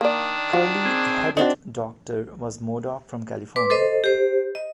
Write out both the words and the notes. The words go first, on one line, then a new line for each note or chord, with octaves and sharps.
Curley Headed Doctor was Modoc from California.
D#3 A#3 D4 D5
F4 F#4
C4 G#4
C4 D4 D#4 F#4
B4 C6 D6
A4 C5 D#5
G4 C5
D#5